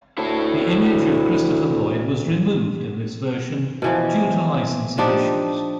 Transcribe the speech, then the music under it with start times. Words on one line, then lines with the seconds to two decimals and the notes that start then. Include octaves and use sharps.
The image of Christopher Lloyd was removed in this version due to licensing issues.
0.18 D2 E4 C#5 A5
3.82 B2 E3 F3
4.98 F3 D4 D#4 G4